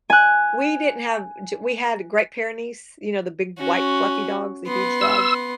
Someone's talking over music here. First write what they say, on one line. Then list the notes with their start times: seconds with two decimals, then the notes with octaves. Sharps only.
we didn't have g we had Great Pyrenees, you know, the big, white, fluffy dogs, the huge dogs,
0.10 G#5 F#6
3.59 C#4 F#4
4.67 B3 C6
5.01 E6